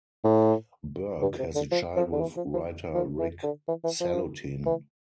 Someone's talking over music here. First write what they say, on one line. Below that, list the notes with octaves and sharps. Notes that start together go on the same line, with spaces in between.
Burke has a child with writer Rick Salutin.
A2
G2
C3
D3
F3
F3
D3
E3
F3
F3
F3
E3
D3
E3
E3
F3
E3